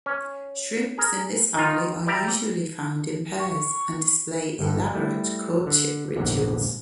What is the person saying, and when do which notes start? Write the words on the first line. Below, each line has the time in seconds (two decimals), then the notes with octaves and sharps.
Shrimps in this family are usually found in pairs and display elaborate courtship rituals.
0.06 C#4
0.98 G#4 A#4
1.55 D#3 D#4 F4
2.07 G3 D5 E5 G5 A#5
3.39 C#6
4.59 G1 G2 A4
4.94 G3 A3 E4
5.67 D3
6.16 A#1 E2 G#2 D3